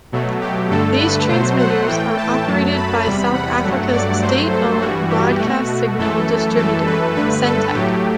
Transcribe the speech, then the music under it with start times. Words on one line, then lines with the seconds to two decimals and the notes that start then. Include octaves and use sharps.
These transmitters are operated by South Africa's state-owned broadcast signal distributor Sentech.
0.12 B2 F#3 A3
0.41 G4
0.70 G2 D3 A3 A4
1.00 B4
1.29 B2 F#3 A3 C5
1.59 F#5
1.87 A2 E3 A3 G5
2.17 A5
2.46 F#2 F#3 A3
2.76 B5
3.04 E2 C3 G3 B5
3.34 F#5
3.63 G2 F#3 A3
3.93 D5
4.22 G2 F#3 A3 C5
4.52 A4
4.81 G2 E3 G3 F#4
5.10 G4
5.39 B2 A3 F#4
5.98 F#2 E3 A3 A4
6.57 F#2 E3 A3 A4
6.86 B4
7.15 G2 D3 A3 B4
7.45 A4
7.73 A2 F#3 A3 G4